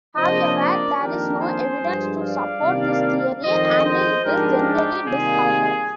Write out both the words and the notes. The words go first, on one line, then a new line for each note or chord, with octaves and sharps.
However, there is no evidence to support this theory and it is generally discounted.
C3 F3 A#3 D4 C5 D#5
A#4 D5
F2 D#3 A#3 D4 G4 A#4
G#4 C5
G2 F3 G#3
D5 F5
C3 D#3 G3 A#3 D4
F2 D#3 G#3 C5 D#5
C5 D#5
G#2 F3 G#3 D4 G4 A#4
D#4 G4
C3 D#3 G3 A#3 F4 G#4